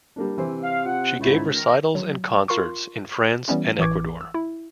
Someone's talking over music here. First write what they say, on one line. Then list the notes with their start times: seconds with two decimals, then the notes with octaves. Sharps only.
She gave recitals and concerts in France and Ecuador.
0.16 G3 A#3 D4
0.38 C3 E3 C5
0.63 F5
0.86 F4 F#5
1.19 C#2 G#2 A3 E4
1.53 D#3 D#4 A#4
1.95 F#3
2.48 F4 A#4 C6 C#6
3.48 E3 G3 B3 C#4 E4
3.79 A1 E3 C#6 D6 G#6
4.21 E6
4.34 E4